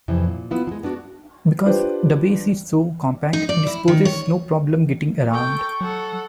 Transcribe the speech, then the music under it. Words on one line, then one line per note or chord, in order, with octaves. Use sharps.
Because the base is so compact, this poses no problem getting around.
F2 C3 E3
A#2
B3 E4 F4
F3 G#3
B3 D4 D#4 F#4
D4 F4 G4 B4 C5 D5
D#4
D5
E4
D#3
C#5
A4 G5 C#6
F#3 A4 F#5